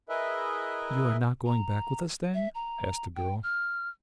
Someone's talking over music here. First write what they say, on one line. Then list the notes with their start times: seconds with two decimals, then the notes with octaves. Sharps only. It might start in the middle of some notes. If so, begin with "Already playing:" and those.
"You are not going back with us, then?" asked the girl.
0.09 E4 G#4 A#4 B4 D#5 E5
1.46 A#5
2.34 E5
2.55 A#5
3.16 G5
3.43 F6